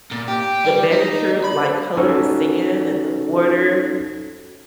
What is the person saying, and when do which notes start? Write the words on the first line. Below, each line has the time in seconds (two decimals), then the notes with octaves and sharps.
the manicure-like color sand and the water,
0.12 A#2
0.28 G4
0.65 G3
0.91 D#4
1.44 B5
1.97 C#4 D#4 F#4 A4